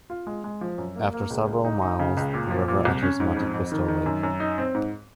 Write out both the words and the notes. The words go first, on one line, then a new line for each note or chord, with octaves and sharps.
After several miles the river enters Monte Cristo Lake.
F4
G#3
G#3
F3
F#2
A#3
A#3
C#2
C#2
D#4
D#4
C#3
C#2
A#2
F3
A#2
C2
C#4
G#2
F2
F2
D#3
D#3
F#2
F#2
D#4
C4
G#2